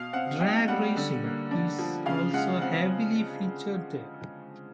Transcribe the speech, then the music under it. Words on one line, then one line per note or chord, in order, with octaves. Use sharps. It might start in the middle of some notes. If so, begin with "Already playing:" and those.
Drag racing is also heavily featured there.
Already playing: B2 F5
C4 F#5
D#4 G5
G3 F#5
D3
A#3
D4
F3
C#3 F5
G#3 F#5
C4 F#5